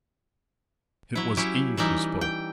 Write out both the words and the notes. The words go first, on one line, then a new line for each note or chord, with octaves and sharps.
It was Eve who spoke.
F#3 E4
F#3 C#4 E4 G4
E3 G3 D#4 E4
G5